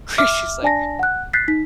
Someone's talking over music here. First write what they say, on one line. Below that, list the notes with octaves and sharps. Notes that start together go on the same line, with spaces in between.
Where she's, like
E5 D6 F6
D4 D5 G#5 A5 A#6
F#5 F#6
F#6 G6 A6 B6 C7
D#4 B6